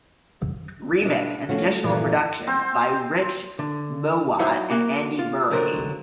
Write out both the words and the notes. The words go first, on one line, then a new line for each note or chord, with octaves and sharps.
Remix and additional production by Rich Mowatt and Andy Bury.
B2 D4 E4 D#5
F3 A3 C#4 F#4
G2 A#2 D3 E3 F3
C4 C5
D3
F#3 D#4 E4 C5 F5 F#5
A#3 F#4
F4
C#2 D3 F#3 A#4 C5